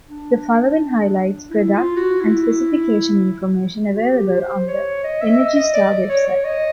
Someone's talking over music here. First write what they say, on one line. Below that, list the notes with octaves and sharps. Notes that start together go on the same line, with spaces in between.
The following highlights product and specification information available on the Energy Star website.
D4
E4
F4
F#4
E4
F#4
G4
C5
C#5
D#5
E5
D#5
D#5
D5
C#5
C#5
D#5